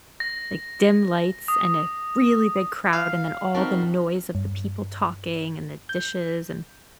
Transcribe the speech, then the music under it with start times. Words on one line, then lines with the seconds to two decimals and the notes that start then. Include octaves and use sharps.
Like, dim lights and a really big crowd and then all the noise of the people talking and the dishes, and
0.20 A#6
1.48 D#6
2.93 F5
3.55 G3 C4 D#4 F#4 A#4 A5
4.35 G2
5.89 G6